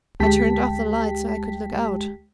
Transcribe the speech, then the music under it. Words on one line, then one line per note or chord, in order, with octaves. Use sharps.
I turned off the light so I could look out.
D2 G#3 G4 G5 A5 B6